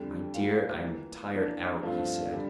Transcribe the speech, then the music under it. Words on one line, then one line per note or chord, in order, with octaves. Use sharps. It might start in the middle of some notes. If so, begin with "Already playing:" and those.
"My dear, I am tired out," he said.
Already playing: F2 D3 G3
A2 G3 A#3 F4
E3 A#3 F4
E3 A#3 D4
G2 F3 A3 C4 F4
D3 G3